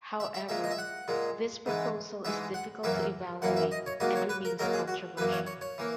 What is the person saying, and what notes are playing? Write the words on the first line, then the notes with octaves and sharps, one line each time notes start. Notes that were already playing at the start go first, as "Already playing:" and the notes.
However, this proposal is difficult to evaluate, and remains controversial.
E5
E5
A#2 G#3 E5
D#5
E5
F#5
A#2 G#3
G#2 E3 G#3
G#2 E3 G#3 E5
F#5
F#2 E3 A#3 E5
F#2 E3 A#3 F#5
E5
D#5
C#5
G#2 F#3 A#3 D#5
C#5
B4
A#4
G#2 F#3 A#3 A#4
G#4
F#4
F#2 E3 A#3 B4
C#5
C#5
C#5
E3 A#3